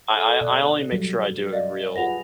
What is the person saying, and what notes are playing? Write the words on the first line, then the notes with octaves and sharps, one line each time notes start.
I I I only make sure I do it in real,
A4 E5
B2 D5 F#6
F#3 G3
D5 D#5 F5
F4 G4 G#4 B4 F#5 A#6 F7